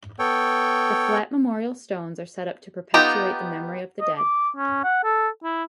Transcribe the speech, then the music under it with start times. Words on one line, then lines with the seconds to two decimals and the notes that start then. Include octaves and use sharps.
The flat memorial stones are set up to perpetuate the memory of the dead.
0.19 B3 A4 C#5 G5
2.94 B3 D#4 F4 G4
4.01 D#5
4.18 D6
4.56 C#4
4.84 F#5
5.04 A4
5.43 E4